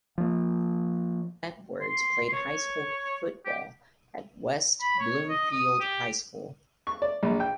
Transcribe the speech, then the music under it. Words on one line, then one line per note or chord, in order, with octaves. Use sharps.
Edwards played high school football at West Bloomfield High School.
F3 A#3
C6
C#5
G4
B5
C#5
D#5
D#6
G4
C#6
D5
A#1
G5